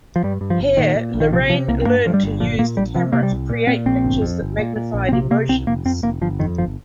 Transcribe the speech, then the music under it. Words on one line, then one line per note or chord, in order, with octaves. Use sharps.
Here, Larrain learned to use the camera to create pictures that magnified emotions.
F3
G2 G3
G2
F3
G1
A#2 D#3
A#2
A#1
D#3
C3 F3
C3 F3
C2 A#3
C4
G2 A#3
G2 F3
G3
G1
A#2 F3
A#2 A#3
A#1 G3
C3 F3
C3 A#3
G3
C2
A#2
A#2 C4
A#1 C4
G1
F2
G1
A#2
A#2
A#1
C4
C3 A#3
C3 A#3
C2 C4
F1 A#3
F2 C4
F1 A#3
G1 F3
F2 D#3
G1 F3